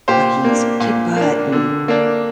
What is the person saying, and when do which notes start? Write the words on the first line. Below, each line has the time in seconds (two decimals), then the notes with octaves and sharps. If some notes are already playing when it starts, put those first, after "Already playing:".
but he's kick butt and,
0.08 A#2 G4 C5
0.44 A#3 D4
0.80 A#2
1.16 A#3 D4
1.52 D3
1.88 A#3 D4